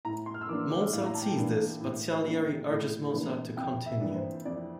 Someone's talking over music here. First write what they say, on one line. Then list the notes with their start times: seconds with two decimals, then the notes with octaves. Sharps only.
Mozart sees this, but Salieri urges Mozart to continue.
0.05 A2 A#5
0.26 C6
0.34 F6
0.41 E6
0.49 E3 A#3 D4 D6
0.71 D6
0.93 A2 F5
1.06 A#5
1.14 A5
1.22 G5
1.37 E3 A#3 D4
1.80 A2
2.25 E3 A#3 D4
2.69 A2
3.13 E3 A#3 D4
3.57 F2 G5
3.86 E5
4.01 E3 A#3 D4
4.16 C5
4.45 F2 D5